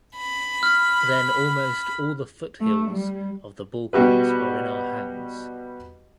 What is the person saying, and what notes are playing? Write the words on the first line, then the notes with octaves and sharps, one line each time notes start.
Then almost all the foothills of the Balkans were in our hands.
B5
F6
A3
G3
B2 G3 F#4 G4 B4